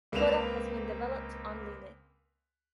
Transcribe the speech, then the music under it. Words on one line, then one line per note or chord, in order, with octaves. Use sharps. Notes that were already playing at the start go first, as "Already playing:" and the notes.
Coda has been developed on Linux.
C#2 A#3 C4 B4 E7 F7